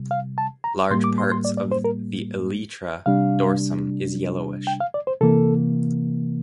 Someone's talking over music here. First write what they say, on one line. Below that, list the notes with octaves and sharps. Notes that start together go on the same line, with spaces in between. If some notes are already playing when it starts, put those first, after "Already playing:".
Large part of the elytra dorsum is yellowish.
Already playing: C3 G3
F5
A5
A#5
A2 G3 A#3 C6
D6
C6
C6
D5
D5
C5
A#4
C3 G3 D4 F5
G5
F5
D5
C5
C3 E3 A#3 A4